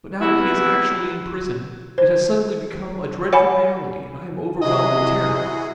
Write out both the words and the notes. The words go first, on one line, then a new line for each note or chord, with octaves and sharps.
But now that he is actually in prison, it has suddenly become a dreadful reality and I am overwhelmed with terror.
E2 C3 E3 E4 F#4
C5
C#5 F#5 G#5 B5
C3 E4 F#4 G#4 D#5